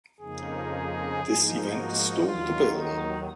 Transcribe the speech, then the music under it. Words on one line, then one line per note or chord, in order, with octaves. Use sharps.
This event stalled the bill.
F2 C#3 F3 A#3 D#4 G#4
G#2 F3 A#3 D#4
F#4
D#2 D#3 F#3 F4
D#4